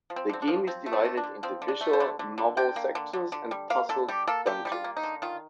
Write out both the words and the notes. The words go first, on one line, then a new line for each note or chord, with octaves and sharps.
The game is divided into visual novel sections and puzzle dungeons.
F3
C4
D3 C4
D4
F3
F3 C4
A3
C4
D3
D4
D3
F3 C4
D3
D4
A3
C5
D3
D3
D3
D3 G5
A#3
D3
D3
D3
G3
A#3 F5
D3 A4
G3 G4
A#3 A4
D3 G4
G3 G4
F4
A#3
D#4
D3
D#3 F4